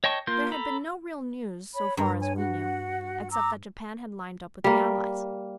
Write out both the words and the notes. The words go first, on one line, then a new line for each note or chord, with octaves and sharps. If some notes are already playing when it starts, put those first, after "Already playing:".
There had been no real news so far as we knew, except that Japan had lined up with the Allies.
C#5 D#5 G5 A5 C#6
A#3 F4 A#4 C6 G6
A4 A#5 B5
C#5 B5
G2 A#4 A#5
C#5 G#5
F#4 F#5
A#5 D6 E6
G3 A#3